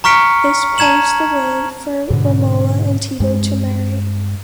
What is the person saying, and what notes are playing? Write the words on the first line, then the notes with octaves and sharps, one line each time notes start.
This paves the way for Romola and Tito to marry.
A#5 C#6 F6 B6 C#7 D7
A5 A#5 G#6 E7 F#7
G#2 B2 D3
G2 G#3